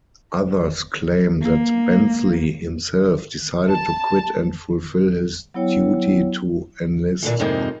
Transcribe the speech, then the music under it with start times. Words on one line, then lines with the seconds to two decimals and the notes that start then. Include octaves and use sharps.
Others claim that Bensley himself decided to quit and fulfil his duty to enlist.
1.41 A#3
3.69 A5
5.54 F#3 B3 E4 C#5 G5
7.22 A#2 D3 E3
7.40 F2 G#2 C3 A#3 D#4